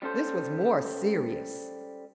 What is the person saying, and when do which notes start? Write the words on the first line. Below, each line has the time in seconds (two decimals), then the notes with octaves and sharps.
This was more serious.
0.02 G3 C#4 A4 C5